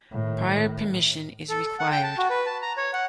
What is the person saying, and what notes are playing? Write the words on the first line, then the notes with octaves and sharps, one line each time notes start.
Prior permission is required.
A2 D#3
A4
A4
F#5
G5
A5
F#4
B4
A5
A#5
C#5
F#5